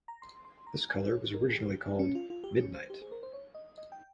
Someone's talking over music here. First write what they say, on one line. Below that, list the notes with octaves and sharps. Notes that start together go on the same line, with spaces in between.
This color was originally called "midnight".
A#5
C6
C6
A#5
G#5
C#5
A#4
G#4
G4
C#4
F4
F4
G4
C#4
C5
G4
G#4
A#4
C5
C#5
D#5
D#5
G5